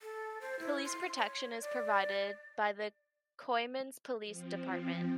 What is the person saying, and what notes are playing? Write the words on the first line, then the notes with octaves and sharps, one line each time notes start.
Police protection is provided by the Coeymans Police Department.
A4
C5
E4
C6
C#5
D5
F3 C4